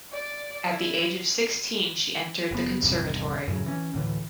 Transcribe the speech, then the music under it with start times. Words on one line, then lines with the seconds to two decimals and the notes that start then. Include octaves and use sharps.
At the age of sixteen she entered the conservatory.
0.11 D5
0.68 E4
2.51 F#1 B3
2.81 A1 E2 G2 C3
3.47 F#2 A2 C#3 F#3
3.66 E3 C#4
3.94 D2 A2 E3